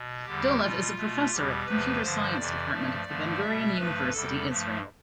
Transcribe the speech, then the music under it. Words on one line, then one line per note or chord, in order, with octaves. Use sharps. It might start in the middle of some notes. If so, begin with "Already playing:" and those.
Dolev is a professor at the Computer Science Department of the Ben-Gurion University, Israel.
Already playing: B2
E2 D3 G3 G4
B2 G3 F4
B2 A3
E2 B2 G3 G4
E2 C3 F3 A3 B4
G2 D3 F3 C5
F2 C3 E3 D5
G2 F3 A3
G2 D3 F3 A3
B2 G3 E5
G2 F3 A3 B4
E2 C3 G3 A4
G2 F3 A3